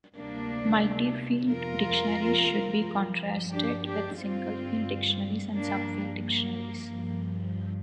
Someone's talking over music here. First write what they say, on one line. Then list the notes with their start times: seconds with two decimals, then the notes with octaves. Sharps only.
Multi-field dictionaries should be contrasted with single-field dictionaries and sub-field dictionaries.
0.16 D2 C3 G3 A#3 D4
1.50 F2 C3 F3 F4 A#4
2.85 G2 F3
3.52 D4 G4
3.85 D4 G4
4.19 G2 D3 G3 C4 F4
5.53 G2 F3 A#3 D4
6.21 A#3
6.88 G2 F3